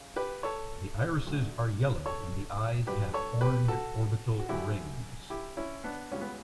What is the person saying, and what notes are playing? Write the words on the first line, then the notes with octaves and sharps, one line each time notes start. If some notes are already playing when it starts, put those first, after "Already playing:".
The irises are yellow and the eyes have orange orbital rings.
Already playing: C#3
G4 B4
A4 C#5
D2 D3 F#3
A4 C#5
G2 F#3 G4 B4
A4 C#5
G4 B4
F#4 A4
F#4
F#2 D3 F#3 E4 G4
E4 G4
C#4 E4
B3 D4
C#2 C#3 G3 C#4
B3